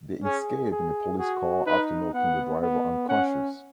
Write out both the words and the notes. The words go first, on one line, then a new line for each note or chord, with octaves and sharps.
They escape in a police car after knocking the driver unconscious.
C#4 G#4
G#4
F#4 G#4
D#4 B4
B3 F#5
B3
C#4 F#5